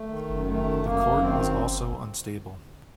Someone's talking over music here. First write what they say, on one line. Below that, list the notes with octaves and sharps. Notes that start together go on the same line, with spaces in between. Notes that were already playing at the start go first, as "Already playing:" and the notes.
The court was also unstable.
Already playing: A3
D#3
F#2
D#3 A3
F#2
F#2 A#3
F#2
D#3 C4
F#2